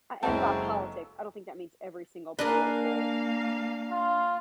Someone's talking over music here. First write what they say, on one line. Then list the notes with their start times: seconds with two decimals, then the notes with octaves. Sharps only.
A and by politics, I don't think that means every single political,
0.23 F#1 F#3 G#3 C4 C#4 E4 A4 A5
2.39 A#3 D4 G#4 A#4 B4 F5 G#5
3.91 F4